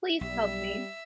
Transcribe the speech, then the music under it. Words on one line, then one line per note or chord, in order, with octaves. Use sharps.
Please help me.
B1 G3 E5